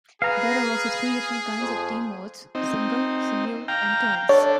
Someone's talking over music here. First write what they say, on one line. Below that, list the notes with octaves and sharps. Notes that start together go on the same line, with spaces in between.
There are also three different kinds of Team modes: Single, Simul, and Turns.
G#4 B4 F5 A#5
F2
C4 D#4
F5 G5 A#5
D4 A4 C#5